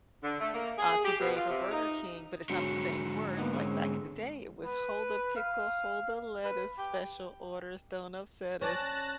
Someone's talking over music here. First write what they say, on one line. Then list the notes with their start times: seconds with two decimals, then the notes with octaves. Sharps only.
uh, today for Burger King, but it's not the same words, like, back in the day, it was: Hold the pickle, hold the lettuce, special orders, don't upset us.
0.23 D3
0.39 A3
0.53 A#3
0.78 G#4
1.05 G4
1.18 B2
1.36 F4
1.49 C3
1.71 D#4
2.50 G#2 D3 F#3
3.37 A#3 B3 D#4
3.54 G#3 C4 C#4
4.64 B4
5.36 F5
6.45 B4
6.78 G4
8.61 C#4 D5 A5 F#6 A#6